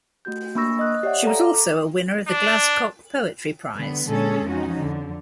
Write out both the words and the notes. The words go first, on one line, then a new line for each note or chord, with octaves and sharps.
She was also a winner of the Glascock Poetry Prize.
A3 F#4 G4 G6
A#3 D4 B5 C#6 E6 A#6
D#5 D#6 F#6
G4 C#5 D5 E5 F#5
A4 F5 A#5
D6
D4
D3 G3 B3
A#2 D3 G#3 C#4 G#4 A4
F2 F3 C#4 D#4 F#4
F2 D3